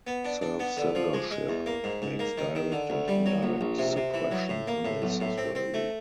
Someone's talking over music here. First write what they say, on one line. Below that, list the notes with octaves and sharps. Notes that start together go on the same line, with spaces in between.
Self-censorship makes direct and indirect suppression unnecessary.
B3
D4
D4
B3
D3
F3
G#3
G#3
E2
A#3
G#2
G#2
A#3
D#3
D#3
D3
D2
G3
F#3
A#1
A#1
C3
C3
E3
F#3
A2
A#3
A2
B1
A2
C4
C4
A3